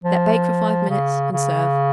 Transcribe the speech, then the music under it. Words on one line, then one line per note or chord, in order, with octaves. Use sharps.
Let bake for five minutes and serve.
F3
C#3
C#3